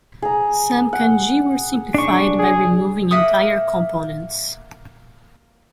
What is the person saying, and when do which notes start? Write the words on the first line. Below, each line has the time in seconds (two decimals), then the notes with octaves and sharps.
Some kanji were simplified by removing entire components.
0.22 G#4 A#5
0.93 F#5
1.94 D4 C#6
2.39 G#4
3.11 A#3 E5 F#5 D#6